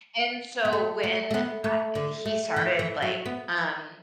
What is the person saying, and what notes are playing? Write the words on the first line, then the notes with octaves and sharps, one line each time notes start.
and so when I he started, like, um,
B3
A3
A3
A3
B3
A3
D3
A3
E3
E3
F#3
B3